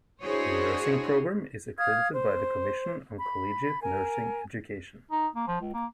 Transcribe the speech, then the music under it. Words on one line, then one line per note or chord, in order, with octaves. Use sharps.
The Nursing program is accredited by the Commission on Collegiate Nursing Education.
D4 E4 F#4 G#4 C5 C#5
F5 D#6 F6 G#6
C5
B5
A#4 G#5
D#4
A#3
F3
C#2
A#3